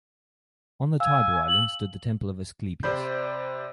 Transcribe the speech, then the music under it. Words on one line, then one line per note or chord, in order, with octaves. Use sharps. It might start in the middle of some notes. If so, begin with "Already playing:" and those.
On the Tiber Island stood the Temple of Asclepius.
F5 G#5 E6
F#7
C3 C5 D5 B5 G6